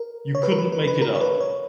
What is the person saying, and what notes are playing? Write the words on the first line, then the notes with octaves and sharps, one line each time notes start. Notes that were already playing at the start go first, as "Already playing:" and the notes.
You couldn't make it up.
Already playing: A#4
C#5
B4
A#4
B4
B4
B4
A#4
C#5
B4
C#5